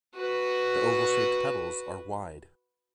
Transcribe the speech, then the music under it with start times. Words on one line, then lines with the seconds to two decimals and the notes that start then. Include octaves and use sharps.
The oval-shaped petals are wide.
0.16 F#4 B4